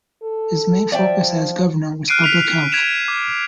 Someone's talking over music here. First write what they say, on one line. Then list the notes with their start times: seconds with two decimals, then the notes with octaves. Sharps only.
His main focus as governor was public health.
0.23 A4
0.92 F3 D5 E5 G5
2.08 F6 F#6 C7 D7 D#7
2.24 B6 F7
2.72 G#6 B6 D7 E7 F7
3.08 D6